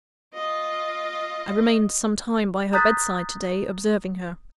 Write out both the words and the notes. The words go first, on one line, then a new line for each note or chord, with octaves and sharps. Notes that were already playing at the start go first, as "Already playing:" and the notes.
I remained some time by her bedside to-day, observing her.
F4 D#5
A#5 D#6 F#6 G6 A6 B6